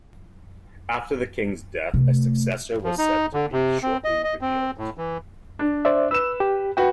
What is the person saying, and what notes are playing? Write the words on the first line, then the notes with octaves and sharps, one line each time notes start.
After the king's death, a successor was said to be shortly revealed.
C3 A3
F3
D#4
D3
C3
C4
D#5
D#5
C4
A2
E3
D4
C5 D5 E5
B4 E6 E7
G4
F#4 B4 G5